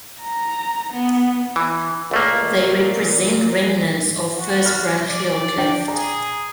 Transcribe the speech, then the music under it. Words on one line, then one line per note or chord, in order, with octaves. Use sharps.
They represent remnants of first branchial cleft.
A#5
B3
E3
C#2 A#2 A3 A#3
F#4
F6 A6
D5
D4 G5
G#4 A#5